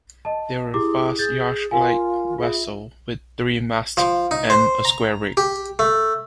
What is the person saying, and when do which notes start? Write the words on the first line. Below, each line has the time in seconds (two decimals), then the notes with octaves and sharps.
They were fast, yacht-like vessels, with three masts and a square rig.
0.25 D#5 A5
0.74 E4 G4 G#4 D6
1.19 G#4 G6 A6
1.71 F4 A#4 F5 G#5
2.38 F4 G#4 E5
3.97 F3
4.31 D#4
4.50 C5
4.85 A#5
5.37 G4
5.79 A3